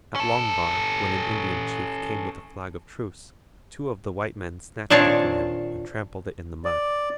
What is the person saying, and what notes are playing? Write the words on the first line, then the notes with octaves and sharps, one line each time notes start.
At Long Bar, when an Indian chief came with a flag of truce, two of the white men snatched it from him and trampled it in the mud.
C#4 A4
A#2 D#3 C4 D4 C#5 A5
D5